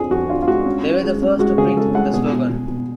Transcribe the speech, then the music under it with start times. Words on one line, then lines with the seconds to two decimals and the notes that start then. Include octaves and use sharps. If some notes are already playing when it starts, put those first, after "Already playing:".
They were the first to print the slogan.
Already playing: F2 F3 D4 G#4
0.10 F2 F#4
0.29 D4 F4
0.42 F4
0.48 G#3 F#4
0.66 C#4
0.85 C#4
1.03 G#3
1.22 C#4
1.39 G#3 F#4
1.57 C#3 G#4
1.77 G#3 A4
1.94 G#3 F#5
2.13 B2 G#4
2.32 B2
2.50 B2
2.68 B2